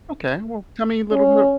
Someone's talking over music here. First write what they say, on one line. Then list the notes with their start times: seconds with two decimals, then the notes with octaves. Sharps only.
Okay. Well, tell me a little bit
1.12 C#4